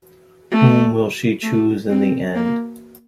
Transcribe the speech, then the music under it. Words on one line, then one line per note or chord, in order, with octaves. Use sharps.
Whom will she choose in the end?
A3
A3
C4
A#3